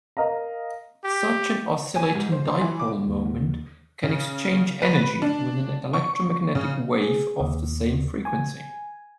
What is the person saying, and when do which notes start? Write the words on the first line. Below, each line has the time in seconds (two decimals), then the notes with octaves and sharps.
Such an oscillating dipole moment can exchange energy with an electromagnetic wave of same frequency.
0.17 A#4 D#5 F5 A#5
1.04 G4
1.96 G#5
2.15 G#2
2.32 C5
2.48 C6
2.61 E3
2.80 D6
3.08 D#2
4.03 C#3
4.82 B4
5.22 D4
5.93 C#6
6.55 C#3
7.02 G#4
7.40 D#2
8.25 G#5